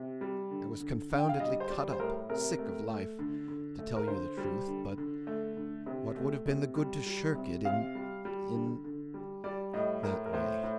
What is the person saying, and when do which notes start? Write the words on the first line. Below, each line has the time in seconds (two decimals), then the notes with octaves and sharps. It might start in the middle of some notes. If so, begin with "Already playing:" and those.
I was confoundedly cut up. Sick of life--to tell you the truth; but what would have been the good to shirk it--in--in--that way?
Already playing: C3
0.21 G3
0.51 D3
0.80 D3
1.10 D3
1.18 G5
1.29 F5
1.40 G3 D#5
1.60 C5
1.70 G3 D5
1.93 C5
2.00 A2 A#4
2.29 C3 A#4
2.59 A3
2.89 A3
3.19 D3
3.48 D3
3.79 A3
3.96 A#4
4.08 D3 C5
4.38 G3
4.67 D3
4.98 D3
5.27 A3
5.57 D3
5.86 C3
6.16 A3
6.46 C3
6.76 G3
7.06 G3
7.35 C3
7.65 C3 F5
7.95 G3
8.25 G3
8.54 D3
8.84 D3
9.14 G3
9.44 G3 D5
9.74 A2 D#5
10.03 A2 A#4
10.26 A#4
10.33 A2 C5
10.63 A2